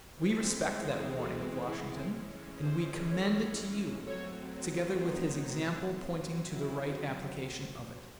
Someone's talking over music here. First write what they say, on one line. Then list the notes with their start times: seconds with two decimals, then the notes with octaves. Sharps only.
We respect that warning of Washington, and we commend it to you, together with his example pointing to the right application of it.
0.21 E3 G#3 C4 G#4 C5
1.17 F#4 A4
1.65 E4 G#4
2.13 E3 G#3 C#4
2.62 G#4 C5
3.10 A4 C#5
4.06 F#3 A3 C4 A4 C#5
5.02 D#4
5.99 F#3 C4
6.47 E4